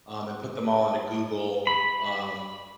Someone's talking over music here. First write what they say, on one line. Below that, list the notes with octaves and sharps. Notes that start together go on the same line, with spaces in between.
um, and put them all in a Google, um,
B5